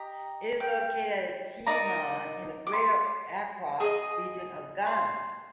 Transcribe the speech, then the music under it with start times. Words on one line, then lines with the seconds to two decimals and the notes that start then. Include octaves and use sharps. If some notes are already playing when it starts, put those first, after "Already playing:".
It is located at Tema in the Greater Accra Region of Ghana.
Already playing: G4 D#5 A#5
0.60 G5
1.67 D#4 A#4 D5 A#5
2.67 D6
2.73 C6
3.80 G#4 D#5 D#6
4.87 C6